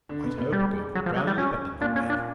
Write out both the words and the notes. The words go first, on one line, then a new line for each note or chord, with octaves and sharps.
The White Hope gurgled drowsily, but did not wake.
D3 D4
B2 B3
B2 B3
G3
G#3
F#3
F3
F#3
G3
C#4
A#2 A#3 D4
C#4
D4